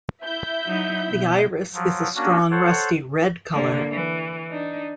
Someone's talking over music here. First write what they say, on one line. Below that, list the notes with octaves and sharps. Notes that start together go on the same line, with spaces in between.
The iris is a strong rusty red colour.
E4 E5 G6
F#3 D#4
B2
F3 F#3
A#3 C#4 D4 F#4
A4 C5 C#5 F#5
D3 A#3
E3
D4 D#4